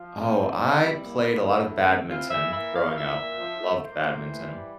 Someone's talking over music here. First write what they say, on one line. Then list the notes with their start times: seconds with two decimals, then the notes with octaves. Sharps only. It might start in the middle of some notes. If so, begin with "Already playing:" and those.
Oh, I played a lot of badminton growing up. I loved badminton.
Already playing: F3 F4
0.13 C4
0.34 D4 E4
0.57 C3
0.78 G3
1.00 A#3
1.22 D3
1.43 D3
1.65 A3
1.87 C4
2.09 E3 F4
2.31 E3 E5
2.52 A#3 E5
2.74 E4 F5
2.89 F5
2.96 A#2 E5
3.17 A#2
3.39 F3
3.61 A3
3.82 A#3 C5
4.04 A2
4.26 E3
4.48 G3